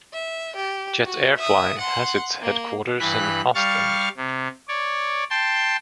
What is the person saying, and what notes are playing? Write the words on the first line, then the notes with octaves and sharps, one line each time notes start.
Jetairfly has its headquarters in Ostend.
E5
G4
F#4
E5 D#6
F#5 C6
A#3
G2 E3 B5 F#6
G3 F5 C#6 F6 A6
C3
C#5 D5
G5 A5 C6